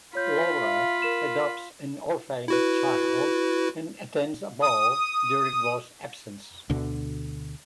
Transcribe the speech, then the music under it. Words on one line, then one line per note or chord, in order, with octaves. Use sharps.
Laura adopts an orphaned child and attends a ball during Voss's absence.
F4 C#5 B5 G6
E5 F5
A#4 E7
E4 F#4 B4
D#6
D2 B2 D3